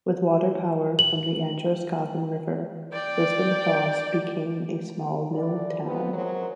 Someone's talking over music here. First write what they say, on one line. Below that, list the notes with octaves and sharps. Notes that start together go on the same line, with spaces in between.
With water power from the Androscoggin River, Lisbon Falls became a small mill town.
F#7
D5 G5
D3 E3 D5
F2 B3
F#3 G#3 A#4 C5